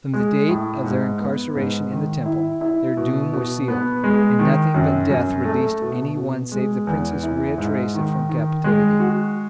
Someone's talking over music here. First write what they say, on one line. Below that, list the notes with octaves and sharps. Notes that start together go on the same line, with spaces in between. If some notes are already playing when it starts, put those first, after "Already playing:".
From the date of their incarceration in the Temple their doom was sealed, and nothing but death released any one save the Princess Marie Theresa from captivity.
G#3
A2
G#2
B3
G#2
D#3
E4
E4
B2
B2
B3
G#3
D#3
F#2
F#2
A3
B2
B2
G#3
E2
E4
G#2
D#3
D#3
G#3
F#4